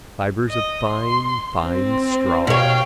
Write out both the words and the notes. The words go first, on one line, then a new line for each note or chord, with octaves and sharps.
Fibres of fine fine straw.
D#5
C6
C4
B2 C#5 F5 G5